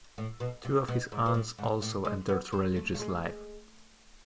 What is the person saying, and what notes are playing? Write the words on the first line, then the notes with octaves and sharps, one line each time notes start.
Two of his aunts also entered religious life.
A2
B2
C3
B2
G#2
B2
A2
G#2
A2
G#3
B3
C4
A3
A3
G#3